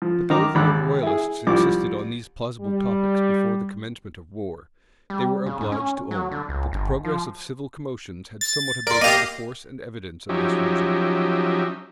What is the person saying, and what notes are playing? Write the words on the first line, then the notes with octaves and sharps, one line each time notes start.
But though the royalists insisted on these plausible topics before the commencement of war, they were obliged to own, that the progress of civil commotions had somewhat abated the force and evidence of this reasoning.
F3
D#3 A#5 D6
G#1 D#2 B5 D6 F#6
E4 G#4
C2 F3 D6
G3
G3
C#3
G#2
C#4
F#3
D3
C#2
G1
F3
A6
A#4 D5 C6
A#3 G4 D#5 F5
F3 F#3 C#4 D#4 G4 E5